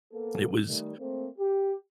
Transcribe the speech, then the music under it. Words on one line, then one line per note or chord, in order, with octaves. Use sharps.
it was
A#3 B3 A4
D#3 G3 A3
A3 A#3 C4
G4